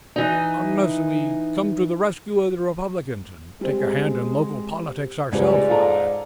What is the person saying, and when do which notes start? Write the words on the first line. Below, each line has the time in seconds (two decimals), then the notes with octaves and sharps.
"Unless we come to the rescue of the Republicans and take a hand in local politics ourselves, my lad."
0.16 E3 D#4
3.61 G3 G#3 C4
5.32 C#2 G#2 G3 B4 D5
5.69 F4 A4 A#5